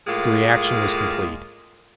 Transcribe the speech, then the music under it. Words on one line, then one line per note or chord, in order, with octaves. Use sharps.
The reaction was complete.
A2 G#3 A#3 F4